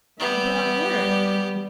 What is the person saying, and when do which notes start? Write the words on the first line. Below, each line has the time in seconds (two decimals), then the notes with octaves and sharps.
She brought HER.
0.20 G3 B3 G4 E5
0.98 G3